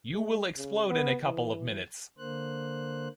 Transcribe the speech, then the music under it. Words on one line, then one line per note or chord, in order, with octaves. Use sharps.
You will explode in a couple of minutes.
G#3
C#3
B3
E3
D3 A#3 C5 F#6